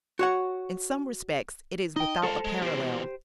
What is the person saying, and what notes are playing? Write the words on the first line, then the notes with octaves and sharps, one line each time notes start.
In some respects it is without a parallel.
F#4 C#5 F#5
D#4 D#5 G5
G#3 F4 A4 C5 A5
G#3
B2 E3 G4 C5